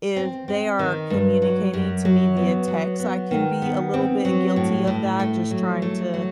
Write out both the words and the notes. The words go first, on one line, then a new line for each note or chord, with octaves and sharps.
if they are communicating to me via text, I can be a little bit guilty of that, just trying to
C4
C4
D#3
G2
F#3
F#2
F#3
B3
F#3
B3
D#3
B3
C4
F#3
A2
A2
A3
F#3
A3
F#3